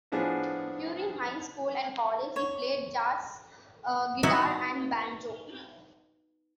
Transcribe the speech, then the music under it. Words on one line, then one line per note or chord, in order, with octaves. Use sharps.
During high school and college, he played jazz guitar and banjo.
A2 F3 B3 D4 G#4
C#5
B3 D#4 E4 F#4